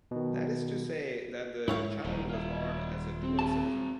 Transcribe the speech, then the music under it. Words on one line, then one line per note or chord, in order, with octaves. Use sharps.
That is to say that the child was born as a dual citizen.
B2 D#3
G#2 E4 C#5 F5
D#1 A2 G3 D#4
F4 E5
C4
C4 G#4 A5